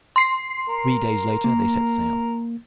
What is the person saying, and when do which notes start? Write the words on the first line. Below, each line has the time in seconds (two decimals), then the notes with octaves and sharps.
Three days later they set sail.
0.16 C6 C7
0.68 A#4
1.44 A#3